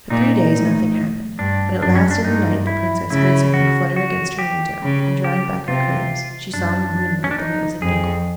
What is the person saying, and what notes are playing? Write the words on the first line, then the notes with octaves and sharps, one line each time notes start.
For three days nothing happened, but at last in the night the Princess heard something flutter against her window, and drawing back her curtains she saw in the moonlight that it was an Eagle.
A#2 D#4
A2
G2 D4
F#2 D4
C#4
D4
G2 D#4
E4
C#3 E4
F#4
F#4
G4
C#3
G4
C3 F4
F#2 D4
C#4
D4
D#4
F2 G#4